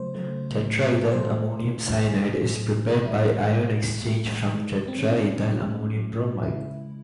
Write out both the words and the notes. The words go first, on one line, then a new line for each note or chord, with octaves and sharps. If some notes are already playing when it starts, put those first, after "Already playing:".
Tetraethylammonium cyanide is prepared by ion exchange from tetraethylammonium bromide.
Already playing: C#3 F#3 A3 C5
C#3 F#3 A3
A2 F#3 A3
A4
A2 F#3 A3 C5
C3 D#3 A3
C3 D#3 A3 G#4
A2 F#3 A3
A2 F#3 A3 E4
A2 G#3
A2 G#3
D#3 G#3
C4
D#3 G#3 C#4
A2 F#3 A3
A2 F#3 A3
C#3 G#3 E4